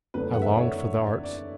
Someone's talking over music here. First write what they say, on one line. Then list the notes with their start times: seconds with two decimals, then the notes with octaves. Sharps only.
I longed for the arts.
0.14 F#1 E2 D3 F#3 A3 B4
0.33 F#5
0.42 E5
0.50 D5
0.59 C#5
1.02 D5
1.23 D5